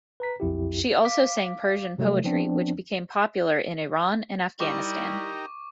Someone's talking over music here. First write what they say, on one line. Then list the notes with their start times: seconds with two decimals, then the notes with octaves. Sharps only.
She also sang Persian poetry, which became popular in Iran and Afghanistan.
0.20 B4 A#5 B6
0.40 B1 F2 E4 G4
1.04 F5 D6 B6
1.98 C3 F#3 G3 A3
2.24 F3 B3 C4 D4
4.60 G3 D#4 E4 G4 A#4 C#6 D6